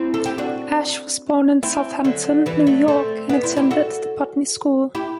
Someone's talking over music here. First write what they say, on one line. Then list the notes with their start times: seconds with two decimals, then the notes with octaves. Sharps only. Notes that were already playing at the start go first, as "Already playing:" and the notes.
Asch was born in Southampton, New York and attended The Putney School.
Already playing: C4 E4
0.14 A4
0.26 G4
0.38 D4 F#4
1.63 C4 E4
2.04 D3 F#3
2.46 E3 G3
2.67 F#3 A3
2.88 A3 C4
3.29 B3 D4
3.43 C4 E4
3.56 E4 G4
3.71 F#4 A4
4.95 E4 G4